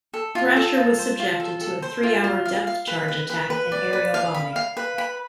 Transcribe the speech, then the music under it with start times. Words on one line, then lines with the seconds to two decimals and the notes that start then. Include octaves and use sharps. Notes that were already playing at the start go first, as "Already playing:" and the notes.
"Thrasher" was subjected to a three-hour depth charge attack and aerial bombing.
0.14 A4
0.35 F4
0.56 A4
0.77 F4
0.98 C5
1.20 F4
1.40 A4
1.61 A4
1.82 C5
2.03 F4
2.24 F4
2.45 F5
2.67 F5
2.87 B4
3.08 B4
3.30 B4
3.50 B4
3.72 D5
3.93 B4
4.14 F5
4.34 B5
4.56 F5
4.77 B4
4.98 B5